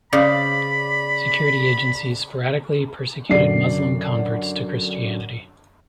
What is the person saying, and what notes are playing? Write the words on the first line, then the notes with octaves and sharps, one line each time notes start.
Security agencies sporadically persecuted Muslim converts to Christianity.
C#3 C5 D5 B5
F#2 D3 D4 D5 C7